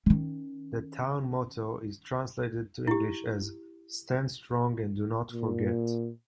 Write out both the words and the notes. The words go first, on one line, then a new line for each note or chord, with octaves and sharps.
The town motto is translated to English as: "Stand strong and do not forget".
D#3 C#4
E4 G4
A#2